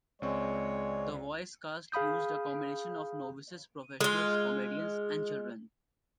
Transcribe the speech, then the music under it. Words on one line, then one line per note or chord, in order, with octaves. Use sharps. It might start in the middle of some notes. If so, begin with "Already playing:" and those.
The voice cast used a combination of novices, professionals, comedians, and children.
C#2 G#3 C4 C#5 D5
G#4 F5 B5 D#6 G6
G#3 F4